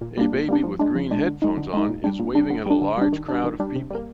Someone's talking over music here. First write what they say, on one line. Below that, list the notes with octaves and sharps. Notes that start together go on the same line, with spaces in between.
A baby with green headphones on is waving at a large crowd of people.
A#2
G3 A#3 D4
A#2
G3 A#3 D4
F3
G#3 D4
F3
G#3 D4
D3
G#3 D#4
D3
G#3 D#4
A#2
G3 D4
A#2
G3 D4
D3
G3 D4
D3
G3 D4
D#3
G3 D4
D#3
G3 D4
C3
G3 A#3